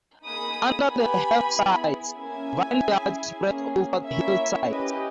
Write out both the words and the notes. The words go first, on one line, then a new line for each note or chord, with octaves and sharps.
Under the Hafsides, vineyards spread over the hillsides.
A#3 D#4 G#4 B5 D#6
B3 G4 G#5 B5
B3 E4 G#4
A#3 C#4 E4 G#4 E5 G#5
C#4 E4 G#4
A#3 C#4 G#4
A#3 C#4 E4 C#5 E5
C#4 E4 G4 B4 D#5